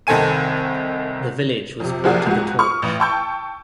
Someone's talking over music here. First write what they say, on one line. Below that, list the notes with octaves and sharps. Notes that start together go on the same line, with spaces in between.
The village was put to the torch.
C2 D#3 C4 A4 G#5 D#7
F2 C3
F#1 C3 F3 F#4 G#4 D5
C#2 G#2 F#4
C#6 D#6 F6
A1 B4
G5 A5 C#6 E6 G6